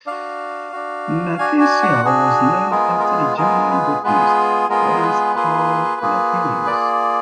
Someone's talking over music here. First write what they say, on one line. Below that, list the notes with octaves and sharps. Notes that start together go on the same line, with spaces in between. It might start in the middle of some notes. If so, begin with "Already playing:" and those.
"Mertensia" was named after the German botanist, Franz Carl Mertens.
D4 F#4 F5
D4 F#4
D4 F#4 G#5
G#5
F#5
D4 F#4 G#4
G#3 B3 F4 G#4 A#4
A#4
G#4
G#3 B3 F4 G#4 A#4
B4
G#3 B3 F4 G#4 B4
G#3 B3 F4 G#4 A#4
B4
A#3 F4 G#4
A#3 F4 G#4
A#3 F4 G#4 D5